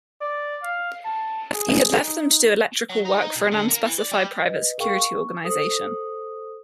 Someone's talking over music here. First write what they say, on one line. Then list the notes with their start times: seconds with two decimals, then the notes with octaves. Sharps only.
He had left them to do electrical work for an unspecified private security organization.
0.21 D5
0.63 F5
1.05 A5
1.53 G#4
2.02 D#4
2.90 F#3
3.05 D#4
3.21 D#4
3.36 B1
3.52 D3
3.68 A#3
3.85 E3
3.98 D5
4.12 G3
4.48 B4 D#5
4.78 G#4 A#4 F5 G5 C#6
4.96 C#6
5.44 A4 C5 D#6